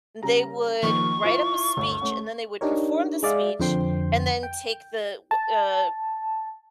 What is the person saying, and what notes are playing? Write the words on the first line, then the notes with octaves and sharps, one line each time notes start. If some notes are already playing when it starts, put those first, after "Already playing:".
they would write up a speech, and then they would perform the speech, and then take the wh uh,
C#3 G3 A#5
D#3 F3 A#3 C#6
E4 F4 C5
G1 D2
A3 C#4 F#5
D4 D#4 G4 A#4 C#5
G#3 G#4 D5 E5 F5
F2 D3 C5 G5 C6
G5
A5